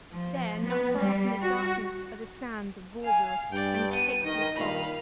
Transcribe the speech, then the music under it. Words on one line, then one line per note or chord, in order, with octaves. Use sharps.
There, not far off in the darkness, are the sands of Vauville and Cape la Hogue.
F3
B3
G3
F#4
F5 G#5
G2 D5 G5
B3 D#7
D#3 D#5
G2 A#2 D#3 F5 B5